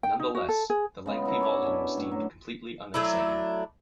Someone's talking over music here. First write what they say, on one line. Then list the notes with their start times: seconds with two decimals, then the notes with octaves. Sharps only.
Nonetheless, the lengthy volume was deemed completely unexciting.
0.03 G5
0.20 D#4
0.35 F#4
0.49 A4
0.70 G#4
1.06 C#3 G#3 B3
1.25 E4 A#4 F#5
1.41 C#5 D5 E5
1.62 B2 C#4 D4
1.97 A2
2.11 F#3
2.94 F#3 A3 D4 E4